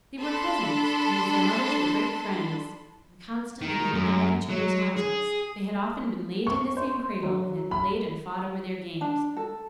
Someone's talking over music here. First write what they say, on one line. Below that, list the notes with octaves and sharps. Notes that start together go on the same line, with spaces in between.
They were cousins, and as their mothers were great friends, and constantly in and out of each other's houses, they had often been laid in the same cradle, and had played and fought over their games.
D4 A4 B5 C6
D#3
F#2
F#3
G#4
C#6
C5
F#3
B5
D4 A5
A4